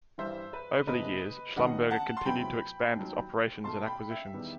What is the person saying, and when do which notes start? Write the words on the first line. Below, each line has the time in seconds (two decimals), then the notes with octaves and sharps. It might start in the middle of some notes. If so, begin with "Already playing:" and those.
Over the years, Schlumberger continued to expand its operations and acquisitions.
0.18 G2 E3 G3 C5 E5
0.53 B4
0.87 F#1 E2 C3 B4 D#5
1.56 D#2 D#3 G3 B3 D#5 F#5
1.91 F#5 A5
2.17 C6
2.25 E2 C3 F#3 G5 B5
2.94 D#2 D#3 F#3
3.64 B1 B2 A3 A5 C6
3.87 G5 B5
4.11 E5 G5
4.33 E2 D#3 G3 B3